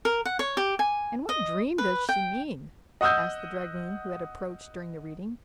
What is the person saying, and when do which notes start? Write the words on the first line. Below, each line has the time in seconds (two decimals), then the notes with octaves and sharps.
"And what dream does she mean?" asked the dragoon, who had approached during the reading.
0.05 A#4
0.25 F#5
0.39 C#5
0.57 G4
0.79 G#5
1.29 D#5
1.78 B4
2.09 G5
3.01 D#5 F#5 D#6 E6 G6